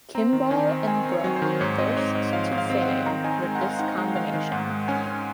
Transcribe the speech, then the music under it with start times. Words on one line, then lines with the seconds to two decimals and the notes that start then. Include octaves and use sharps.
Kimball and Brooke "burst to fame" with this combination.
0.15 C4 A#5
0.33 D#3
0.51 D#3 G#5
0.69 C4
0.87 C4 G#5
1.06 C4
1.12 C#5
1.24 F#3
1.36 C5
1.42 D#3
1.61 G#2 C#5
1.78 C4 D#5
1.97 G#2 C#5
2.15 G#2 D#5
2.33 F3 F5
2.51 G#2
2.58 F5
2.70 C4
2.82 F#5
2.88 C4
3.06 D#3 A#5
3.24 D#4 G#5
3.43 G#3 G#5
3.55 F#5
3.61 G#3 F5
3.79 D#4 F#5
3.98 G#3
4.15 D#3 F5
4.34 D#3
4.52 G#2 F#5
4.70 G#3
4.88 C#4 G#5
5.06 C#4